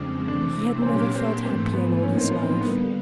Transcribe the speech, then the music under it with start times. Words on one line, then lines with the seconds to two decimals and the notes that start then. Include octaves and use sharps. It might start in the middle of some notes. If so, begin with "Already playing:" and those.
He had never felt happier in all his life.
Already playing: F2 C#3 F3 G#3 C4 D4
0.28 C3 E3 A3 C4 D4
0.82 C4
0.86 A#2 F#3 A#3 C#4 D4 G4
1.15 C4
1.45 G#2 E3 A3 C4
1.74 B3
2.03 A2 F3 A#3 C#4 D#4
2.17 C4
2.30 B3
2.43 C4
2.61 D3 G3 A#3 B3